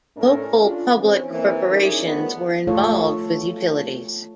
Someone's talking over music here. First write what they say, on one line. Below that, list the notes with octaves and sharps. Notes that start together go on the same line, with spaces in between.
Local public corporations were involved with utilities.
A2 A3 C#4 D4 A4 A#4
C#4 D4 F4
E3 C4 C#4
E3 A#3 C4
C#4 D#4 E4 G#4 A#4 D5
D#3 F3 A3 B3
A3 F4 A4 C#5